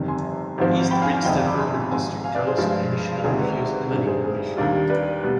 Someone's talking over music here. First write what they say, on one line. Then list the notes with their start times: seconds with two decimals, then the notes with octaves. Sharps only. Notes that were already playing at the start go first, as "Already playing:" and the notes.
The East Grinstead Urban District Council initially refused planning permission.
Already playing: G1 F2 C3 D#3 G3
0.08 G#5 C6
0.58 G#1 G#2 F3 C4
0.91 G5 B5
1.02 F5 G#5
1.13 F5 G#5
1.25 G1 F2 C3 D#3 D#5 G5
1.36 D5 F5
1.46 B5 D6
1.58 G#5 C6
1.74 G#5 C6
1.91 G#1 G#2 F3 G#5 C6
2.24 F5 G#5
2.35 B4 D5
2.47 G#4 C5
2.58 G2 F3 G#3
3.24 D2 C3 D#3 G#3 G#4
3.40 B4
3.90 G2 D#3 G3 D4 G#4 C5
4.07 G#4 C5
4.24 G#4 C5
4.57 D#2 D#3 G3 D4 F4
4.90 B4 D5
5.23 B2 G3